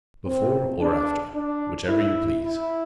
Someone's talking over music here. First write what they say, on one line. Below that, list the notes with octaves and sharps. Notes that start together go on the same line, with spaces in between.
"Before or after, whichever you please."
C4
D4
D4
E4
E4